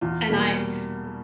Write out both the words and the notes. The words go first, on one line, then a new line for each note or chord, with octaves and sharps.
And I n
E2 F4
B2 G3 A#3